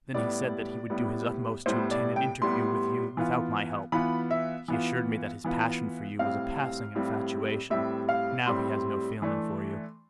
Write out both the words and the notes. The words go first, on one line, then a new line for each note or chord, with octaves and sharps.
Then he said that he would do his utmost to obtain an interview with you without my help. He assured me that his passion for you was a passing infatuation, now he has no feeling for you.
A2 G3 B3 D5
A2 G3 B3
A2 G3 B3 C5
D5
G5
A2 G3 B3 C6
E3 B3 F4
E3 B3 F4 B5
E5
E3 B3 F4
E3 B3 F4
A2 G3 C4 F5
A2 G3 C4
A2 G3 C4 E5
F5
A2 G3 C4 C6
E3 A3 D4